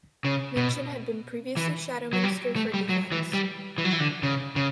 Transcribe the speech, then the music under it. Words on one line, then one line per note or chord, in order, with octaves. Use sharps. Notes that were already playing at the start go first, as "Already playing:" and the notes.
Minchin had been previously Shadow Minister for Defence.
C#3
B2
E3
F#3
G3
A3
G3
F#3
E3
G3
E3
F#3
E3
D3
C#3
C#3